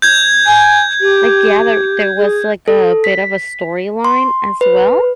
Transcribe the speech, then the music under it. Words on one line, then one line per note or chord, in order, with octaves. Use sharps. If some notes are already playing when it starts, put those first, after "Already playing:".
like, yeah, there there was like a bit of a storyline as well,
G6 G#6
G#5
G4
G#4
A4
B6
C6
B4